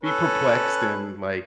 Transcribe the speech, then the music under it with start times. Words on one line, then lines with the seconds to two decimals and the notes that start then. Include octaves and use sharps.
be perplexed and, like,
0.04 C#4 A4 B4